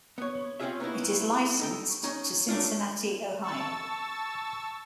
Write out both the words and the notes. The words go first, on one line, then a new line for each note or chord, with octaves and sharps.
It is licensed to Cincinnati, Ohio.
B3 C#5
C4 C#4 D#4 F4 G#4 E5
A#3 B3 D#4 E4
D#4 A4 G5
C#4 D#4
F#3 A3 C4 D4 F4
A5 C#6 E6 A6